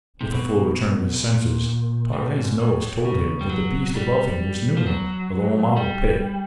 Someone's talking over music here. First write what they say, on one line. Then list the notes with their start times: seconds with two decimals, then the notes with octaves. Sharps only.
With the full return of his senses Tarzan's nose told him that the beast above him was Numa of the Wamabo pit.
0.21 C3
0.32 B2
1.23 A#2
2.13 A2
2.36 G#2
2.59 A2
2.82 A2
3.05 C#3
3.41 G3
3.50 F#3
3.95 G3
4.77 F3
4.86 F#3
5.77 G3